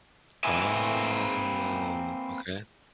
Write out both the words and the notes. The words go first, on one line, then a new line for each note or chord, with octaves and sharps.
Oh, okay.
A#3 C4 B4 E5 G#5